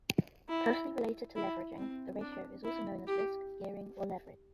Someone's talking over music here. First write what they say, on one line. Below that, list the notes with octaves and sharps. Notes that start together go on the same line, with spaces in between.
Closely related to leveraging, the ratio is also known as risk, gearing or leverage.
E4
E4
C4
D4
E4
G4